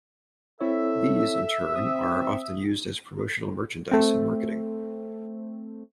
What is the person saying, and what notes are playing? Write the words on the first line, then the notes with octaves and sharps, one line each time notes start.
These, in turn are often used as promotional merchandise in marketing.
C4 E4 A4 C#5 E5
C4 D#6
A3 C4